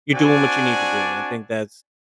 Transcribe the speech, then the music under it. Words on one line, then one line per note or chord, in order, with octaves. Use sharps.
you're doing what you need to do," and I think that's
C4 D4 F#4 D5 G#5